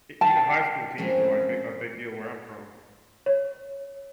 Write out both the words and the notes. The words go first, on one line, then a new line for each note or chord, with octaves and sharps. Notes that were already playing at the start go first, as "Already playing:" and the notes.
e even high school teams are, like, big a big deal where I'm from.
G5 A5
F3 G#3 C4 C#4 A#4
C#5